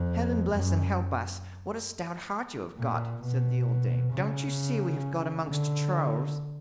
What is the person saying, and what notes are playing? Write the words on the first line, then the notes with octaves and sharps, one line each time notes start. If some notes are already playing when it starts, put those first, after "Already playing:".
'Heaven bless and help us! what a stout heart you have got', said the old dame; 'don't you see we have got amongst Trolls?'
Already playing: F2
F#2
A#2
B2
C#3
D3